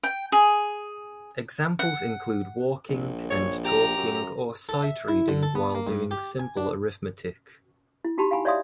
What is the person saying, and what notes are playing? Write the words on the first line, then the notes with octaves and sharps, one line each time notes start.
Examples include walking and talking or sight reading while doing simple arithmetic.
G5
G#4
F#5
A#1
C#5
G4 A#5
F#2
A4
E5
E4
D3
A4
B3
A#3
G2
G4
G#5
D4
E4
D#4 F#4 G4 A5 B5
F5 F#5 G#5 A#5 B5
C#5 D5 E5 F5 C6 D#6